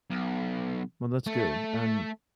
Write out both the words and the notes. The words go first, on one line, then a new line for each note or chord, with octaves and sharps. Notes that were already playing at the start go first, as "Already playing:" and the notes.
Well, that's good. And,
B1
A3